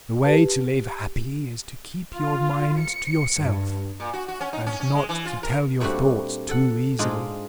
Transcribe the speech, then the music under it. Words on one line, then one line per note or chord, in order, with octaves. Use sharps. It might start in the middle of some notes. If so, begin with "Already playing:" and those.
The way to live happy is to keep your mind to yourself, and not to tell your thoughts too easily.
G4 B4 A5
F4
C#7
G2
A#2
F#4
F#4
C#4
D#4
C#4
C#4
G#3
E3
F4
A#4
A#2 G3 A3 C4 D4 F#4
A4 F#5
G#2 G#3 D4 F4